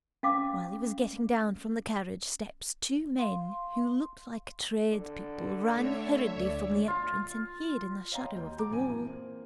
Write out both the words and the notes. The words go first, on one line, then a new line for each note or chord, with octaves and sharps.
While he was getting down from the carriage steps two men, who looked like tradespeople, ran hurriedly from the entrance and hid in the shadow of the wall.
C#4 F5 D6
F5 C6
D3
A3 C#5 E5
D2 D5
F4
C#5 D#5 F5 G5 A#5 C6
D#2 G6
A5 A#5 D6
A#1 F#2 G#5 D#7
E3
A#3 C4